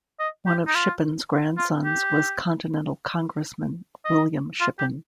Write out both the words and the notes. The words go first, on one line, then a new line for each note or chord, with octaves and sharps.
One of Shippen's grandsons was Continental Congressman William Shippen.
D#5
G4
D#4
F4
F4
G4
D#5
F4
G4